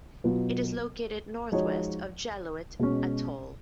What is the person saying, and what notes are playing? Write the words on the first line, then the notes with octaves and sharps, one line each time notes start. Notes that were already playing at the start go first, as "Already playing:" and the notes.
It is located northwest of Jaluit Atoll.
B2 F#3 B3 F4
F3 G#3 D#4 F#4 C#5
B2 G#3 C#4